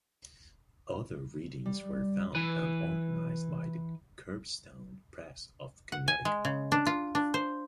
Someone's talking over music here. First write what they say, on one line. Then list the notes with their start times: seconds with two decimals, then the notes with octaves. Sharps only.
Other readings were funded and organized by The Curbstone Press of Connecticut.
1.66 G3
2.35 E3 B4
5.92 F#5
6.08 G#5
6.25 G#3
6.45 C#3
6.72 D4
6.86 F4
7.15 D4
7.34 C5